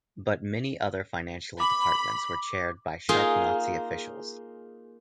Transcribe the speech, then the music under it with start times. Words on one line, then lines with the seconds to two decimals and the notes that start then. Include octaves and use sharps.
But many other financial departments were chaired by sharp Nazi officials.
1.60 B5 D6
3.09 A#3 D#4 F4 G#4